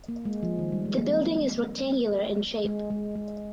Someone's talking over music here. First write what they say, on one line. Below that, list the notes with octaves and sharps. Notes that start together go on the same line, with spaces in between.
The building is rectangular in shape.
A#3
G#3
F3
D#3
G3
G#3
A#3
C4
G#3
G#3
G#3